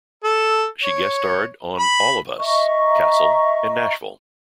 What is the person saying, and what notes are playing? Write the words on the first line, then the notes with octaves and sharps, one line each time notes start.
She guest starred on "All of Us", "Castle" and "Nashville".
A4
C#5
B5
D#5 E5 A#5 C#6